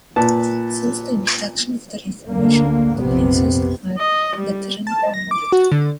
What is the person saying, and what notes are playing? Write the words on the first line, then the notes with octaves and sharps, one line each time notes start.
Since the introduction of the Reformation, the places are Lutheran coined.
A#2 B4 A5
D2 D3 A#3
A#1 F2 C3 B3
D#5
G3
A5
A#6
D6
F#4
D3